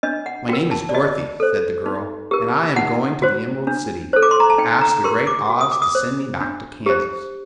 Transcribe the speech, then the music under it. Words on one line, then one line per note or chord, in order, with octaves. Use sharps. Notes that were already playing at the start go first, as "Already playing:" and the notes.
"My name is Dorothy," said the girl, "and I am going to the Emerald City, to ask the Great Oz to send me back to Kansas."
D4 D#5
F#5
F#4 A#4 G5
A5
D5
F#4 D#5
A4 C5
D#4
G4 A#4
D#4 F#5
F#4 C5
D4
A4 C5
D6
C6
A#5
A5
D#4 G5
A#5
G4 A#4 C6
D6
F#4
D#6
D6
D#6
C5
D4
G4 C5